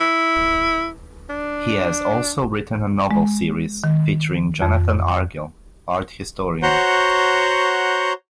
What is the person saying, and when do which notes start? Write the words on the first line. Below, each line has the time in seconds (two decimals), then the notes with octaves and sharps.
He has also written a novel series featuring Jonathan Argyll, art historian.
0.01 E4
1.30 D4
3.11 G#3
3.84 D#3
4.62 F2
6.63 F#4 C5 C#5 F#5 A#5 G6